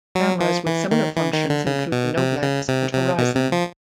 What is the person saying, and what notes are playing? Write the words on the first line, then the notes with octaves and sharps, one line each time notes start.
Cameras with similar functions include the Noblex and Horizon.
F#3
F3
E3
D#3
E3
D#3
D3
C#3
B2
C3
C#3
C3
C3
B2
C3
F3